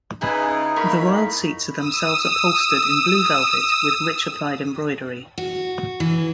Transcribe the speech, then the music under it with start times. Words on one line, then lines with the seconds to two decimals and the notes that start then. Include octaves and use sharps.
The royal seats are themselves upholstered in blue velvet with rich applied embroidery.
0.21 C#3 D#4 E4 G#4 B4
0.76 A#3 E4 A#4 B5 C#6
1.75 D#6 E6
5.38 F#4
6.00 E3